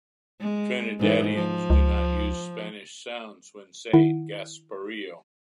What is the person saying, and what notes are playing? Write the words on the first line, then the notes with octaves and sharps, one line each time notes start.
Trinidadians do not use Spanish sounds when saying Gasparillo.
G#3
G#2 E3
F3
C#2
D#3 E4 F#5